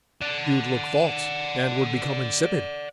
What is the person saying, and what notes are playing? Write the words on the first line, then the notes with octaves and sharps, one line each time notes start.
You'd look false and would become insipid.
D5 F#5